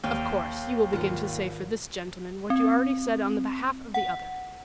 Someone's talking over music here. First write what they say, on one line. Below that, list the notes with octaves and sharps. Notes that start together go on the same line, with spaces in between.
"Of course, you will begin to say for this gentleman what you already said on the behalf of the other."
D#2 D5 E5 F5 G5 D6 E6 D#7
G#1 F4 F#5
C4
F#5